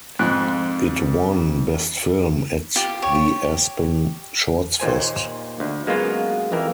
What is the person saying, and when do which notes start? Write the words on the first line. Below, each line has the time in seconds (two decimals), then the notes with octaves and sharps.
It won "Best Film" at the Aspen Shortsfest.
0.19 F2 G#2 F#6
2.76 F4 G4
3.02 G4 C#5
4.80 D#2 A#2 C5 G#5
5.60 D2
5.86 F#2 G#3 A#3 B3 F4 F#4
6.52 F2 E3 A#3 A#4